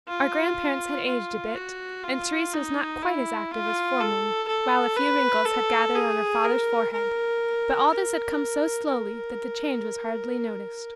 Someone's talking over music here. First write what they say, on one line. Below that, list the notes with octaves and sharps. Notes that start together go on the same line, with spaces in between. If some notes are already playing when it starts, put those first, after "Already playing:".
Our grandparents had aged a bit, and Teresa was not quite as active as formerly, while a few wrinkles had gathered on our father's forehead; but all this had come so slowly that the change was hardly noticed.
F4
F4
F#4
F4
D#4
E4
F4
A4
A4
B4
A4
G#4
A#4
A#4
A#4
A#4